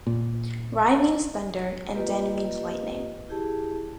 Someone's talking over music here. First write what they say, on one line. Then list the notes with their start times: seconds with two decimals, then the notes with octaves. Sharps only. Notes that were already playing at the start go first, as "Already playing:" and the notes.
"Rai" means thunder, and "den" means lightning.
0.07 A#2
1.95 A#3 F4 G4 B4 D#5
3.29 E4 G4 G#4 A5